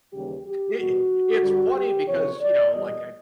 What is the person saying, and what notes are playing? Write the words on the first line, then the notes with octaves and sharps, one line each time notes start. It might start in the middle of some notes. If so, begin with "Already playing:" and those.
it it's funny because, you know, like, I
D#2 C#3 E3 G3 G4
G4
E2 B2 G3 F#4
G2 D3 G3
G4
E2 C3 F3 C#5
D5
E2 B2 G3 D#5